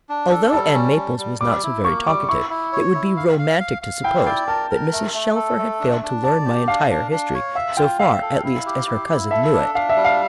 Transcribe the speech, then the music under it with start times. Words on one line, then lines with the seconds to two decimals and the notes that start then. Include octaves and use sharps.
Although Ann Maples was not so very talkative, it would be romantic to suppose that Mrs. Shelfer had failed to learn my entire history, so far at least as her cousin knew it.
0.09 D4
0.31 A4
0.52 G3 A5
0.74 C#4
0.96 G3
1.18 G3
1.40 G3 D6
1.63 E4
1.84 A#3 C#6
2.06 G3 D6
2.29 E4 C#6
2.50 E4
2.73 C#5
2.94 E4
3.17 F5
3.39 F5
3.60 F5
3.82 F5
4.04 E4 G5
4.26 D5 G5
4.48 A#4 A5
4.71 A#4
4.93 A3
5.13 A3
5.35 A4
5.58 A3
5.80 D4
6.02 D4
6.24 D5 A5
6.45 G4
6.67 D4 F5
6.90 D4
7.11 D4
7.34 C#5
7.55 E5 F5
7.77 F4 G5
7.99 E5 F5
8.21 A4
8.44 E4
8.66 G4
8.87 E4
9.09 E4
9.31 A4 E5
9.53 D4
9.74 D4 F5
9.89 E5
9.97 G3
10.05 F5